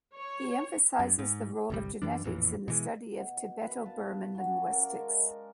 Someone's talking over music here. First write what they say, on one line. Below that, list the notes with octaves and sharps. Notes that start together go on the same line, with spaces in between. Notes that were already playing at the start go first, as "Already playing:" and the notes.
He emphasizes the role of genetics in the study of Tibeto-Burman linguistics.
C#5
F#2
G#2
G1 C2 G3
F#2 E3 D4
A1 F2 A#2 E3
B2 E3 G#3
B2
B4
F5 A5
F#3 B3 C#4
A#4 D5 F5 F#5
G#3